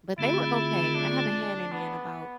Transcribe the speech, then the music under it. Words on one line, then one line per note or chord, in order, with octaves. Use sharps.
But they were okay, I haven't had any in about,
D3 A3 C4 E4 F4 G#4
D4
B3